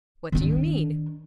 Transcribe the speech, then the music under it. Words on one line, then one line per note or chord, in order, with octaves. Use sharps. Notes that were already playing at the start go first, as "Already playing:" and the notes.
"What do you mean?"
D#3 D4